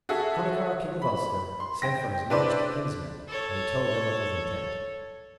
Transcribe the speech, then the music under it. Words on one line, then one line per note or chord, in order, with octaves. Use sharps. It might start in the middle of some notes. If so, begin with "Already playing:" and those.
Connachar, king of Ulster, sent for his nearest kinsmen, and he told them of his intent.
F#4 G#4 A4 E5
B5
C6
G5 A#6
D4 E4 B4 C5 D5
A4 C#5